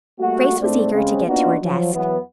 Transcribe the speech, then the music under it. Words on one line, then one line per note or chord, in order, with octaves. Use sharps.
Grace was eager to get to her desk.
G3 A3 A#3 F#4
G#2 G#3 A3 C4 D4
C#3 G#3 C4
A#3 B3 D4 D#4 F4 F#4
F3 F#3
E2 E3 F#3 B3